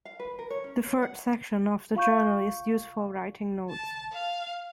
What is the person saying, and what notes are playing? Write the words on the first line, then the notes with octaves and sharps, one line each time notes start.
The third section of the journal is used for writing notes.
F5
B4
A#4
C#5
C#4
C#5
F#5
F4 F5 C#6 G6
A5
F5